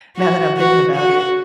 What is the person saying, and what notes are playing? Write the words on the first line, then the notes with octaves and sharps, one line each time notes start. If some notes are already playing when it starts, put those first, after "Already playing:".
Now that I'm thinking about it.
F#4
F#4
F#4